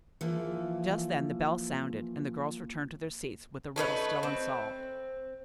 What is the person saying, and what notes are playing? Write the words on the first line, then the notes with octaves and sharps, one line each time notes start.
Just then the bell sounded and the girls returned to their seats with the riddle still unsolved.
E3 F3 A#3
A3 C#4 D#4 B4
C4